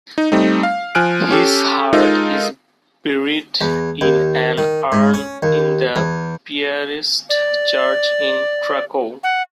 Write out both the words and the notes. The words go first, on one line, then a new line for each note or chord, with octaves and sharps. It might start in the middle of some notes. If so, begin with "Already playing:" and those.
His heart is buried in an urn in the Piarist church in Cracow.
D#4
G3 A3 C4 D#4
F5
F3 G#5 F6 F#6 D7
C#4 G4 A4
G#3 D#4 F4 A4 A#4
E2
D#2
D#3
G#2
C#4
D#2
E2
D5
F#5